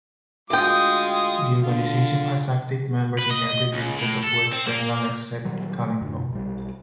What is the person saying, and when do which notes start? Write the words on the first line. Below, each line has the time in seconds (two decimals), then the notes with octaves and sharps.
The organisation has active members in every district of West Bengal except Kalimpong.
0.50 D2 G#3 F4 G5 D#6
1.62 D3 F4
3.18 B4
3.31 D#5
3.74 C#2
3.98 A2
4.24 A4
4.53 C4
4.67 A#3
5.45 A#2 D#3 F#3 G3
6.02 F#2 A2 D3
6.33 B1 G3